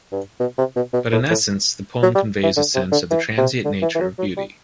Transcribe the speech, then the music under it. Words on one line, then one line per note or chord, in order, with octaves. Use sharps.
But in essence the poem conveys a sense of the transient nature of beauty.
G2
B2
C3
B2
B2
A2
A2
F#3
G3
E3
D3
C3
D3
E3
C3
D3
E3
E3
F#3
F#3
G3